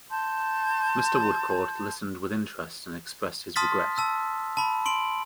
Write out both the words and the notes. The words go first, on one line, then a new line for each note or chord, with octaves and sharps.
Mr. Woodcourt listened with interest and expressed his regret.
A5 C6 G6
A5 C6 D#6 F6 A6 B6
A5 E6
A5 B5
C6 D7 F#7